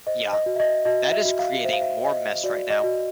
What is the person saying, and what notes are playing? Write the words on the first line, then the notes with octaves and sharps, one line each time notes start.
Ya. That is creating more mess right now.
C5 D#5
D#5
F#4
E5
D#5
F#4 D#5
E5
F#4
F5
C5 E5
F5
E5
C5 D#5
F#4 D5
D#5
F#4